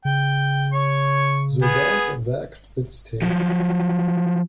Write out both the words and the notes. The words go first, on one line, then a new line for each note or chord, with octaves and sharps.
The dog wagged its tail.
C#3 G5
C#5 C#6
B3 G#4
F3 F#3